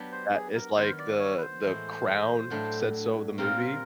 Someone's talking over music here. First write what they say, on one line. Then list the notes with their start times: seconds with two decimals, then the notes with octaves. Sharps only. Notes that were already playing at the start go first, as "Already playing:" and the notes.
that it's like the the crown, said so the movie.
Already playing: F#3 B3 D4 G4
0.12 C5
0.33 G#4
0.55 A#4
0.77 D#3 F#3 B3 C5
0.99 D5
1.20 C#5
1.37 B4
1.42 C5
1.64 A2 E3 G#3
2.50 A2 F#3 A3 D4
3.38 A#2 G3 C4 F4 A#4